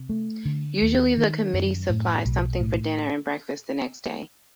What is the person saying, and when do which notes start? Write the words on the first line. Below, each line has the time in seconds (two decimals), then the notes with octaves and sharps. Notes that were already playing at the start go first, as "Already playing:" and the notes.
Usually the committee supplies something for dinner and breakfast the next day.
Already playing: C3
0.09 A3
0.45 D3
0.81 D#2
1.17 D#3
1.53 F#2
1.90 A2
2.25 B1
2.60 A2